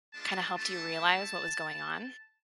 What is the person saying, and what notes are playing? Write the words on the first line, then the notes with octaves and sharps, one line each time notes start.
kinda helped you realize what was going on?
G#3 B3 D4 F4 A5
A3 D4 F4 A5
A3 C4 E4